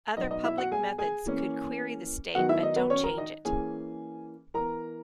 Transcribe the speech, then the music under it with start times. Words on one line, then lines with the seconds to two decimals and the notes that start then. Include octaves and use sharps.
Other public methods could query the state but don't change it.
0.17 B2 F#3 B3 D#4 D#5
0.31 D#4 D#5
0.44 E4 E5
0.58 F#4 F#5
0.72 G#4 G#5
0.98 G#4 G#5
1.26 E3 A#3 C#4
2.35 D#3 F#3 B3 F#4 F#5
2.49 E4 E5
2.63 D#4 D#5
2.76 B3 B4
2.90 C#4 C#5
3.03 A#4 A#5
3.17 D#4 D#5
3.45 E3 A#3 C#4 G#4 G#5
4.54 E3 B3 A#4 A#5